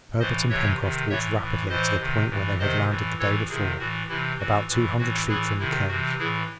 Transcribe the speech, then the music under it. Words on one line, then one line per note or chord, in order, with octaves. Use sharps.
Herbert and Pencroft walked rapidly to the point where they had landed the day before, about two hundred feet from the cave.
A2 E3 C5 D#5
C3 E3 C#5 E5
C3 D#3
A2 E3 C#5 E5
A2 E3
A2 E3 C5 D#5
C3 D#3
A2 E3
C3 D#3 C5 D#5
A2 E3
A2 E3 A4 C#5
C3 D#3 E4 G#4
A2 E3 F#4
C3 E3 E4
A2 E3 F#4
A2 E3
A2 E3 F#4
A2 E3 E4 G#4
C3 D#3 E4
C3 E3 F#4
A2 E3 E4 G#4